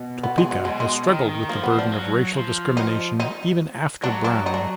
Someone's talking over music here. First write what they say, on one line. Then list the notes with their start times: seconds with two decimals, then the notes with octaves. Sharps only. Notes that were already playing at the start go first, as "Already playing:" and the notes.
Topeka has struggled with the burden of racial discrimination even after Brown.
Already playing: B2
0.23 B3
0.38 G#3
0.51 F#3
0.65 B2 G#3
0.80 G#3
1.08 D#3
1.29 D#3
1.49 F3 A#3
1.63 B3
1.71 F3
1.79 D4
1.92 F#3
2.34 F3
2.77 D#4
3.20 D#4
4.03 F#3 D4
4.24 D4
4.46 D#4
4.54 D4